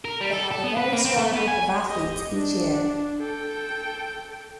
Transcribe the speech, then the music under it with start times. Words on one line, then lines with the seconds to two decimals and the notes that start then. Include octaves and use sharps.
They have a very strong group of athletes each year.
0.05 A#4
0.21 G3
0.33 A4
0.52 A4
0.64 B3
0.77 B4
0.93 A#3
1.05 C4
1.18 A3
1.32 B3
1.47 G#5
1.86 G4 D#5
2.35 D4
3.21 A4 G5